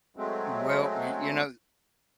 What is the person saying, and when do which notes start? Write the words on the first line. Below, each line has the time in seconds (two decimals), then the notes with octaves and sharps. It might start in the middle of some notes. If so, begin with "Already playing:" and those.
Well, y you know,
0.17 F#3 G#3 A3 C4